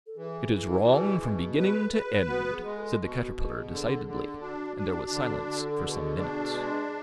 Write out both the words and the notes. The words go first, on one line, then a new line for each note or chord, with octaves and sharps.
'It is wrong from beginning to end,' said the Caterpillar decidedly, and there was silence for some minutes.
A4
E3 G#4
E3
B2 G#4
B2
G#4 B4
A4
G#4 B4
B3 F#4
G#4
G#3
A4
B2
F#4
B2
G#4
D3 G#4
D3
D4 F#4
D4
D3
D3
A4
B2 G#4
D4
G#3